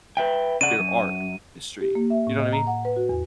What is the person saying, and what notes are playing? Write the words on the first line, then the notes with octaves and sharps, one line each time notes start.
your art history, you know what I mean?
B4 E5 G5
C#3 D5 F#5 D#7
F#2
G4
A#3
E5
A2
D#5
A#5
F#5
B4
F#4
E2